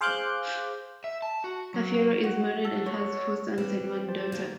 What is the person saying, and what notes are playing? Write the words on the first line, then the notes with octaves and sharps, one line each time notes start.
Cafiero is married and has four sons and one daughter.
G#4 C5 F5 D6 F#6 G6
E5
A5
F#4
F#3
F#4
A4
C#5
E3 G3 C4 B4
G4 C5 A5
D#3 A#3